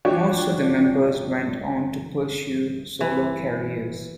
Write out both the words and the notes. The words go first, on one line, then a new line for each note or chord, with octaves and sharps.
Most of the members went on to pursue solo careers.
F3 D4 F#4 G4 C#5
E3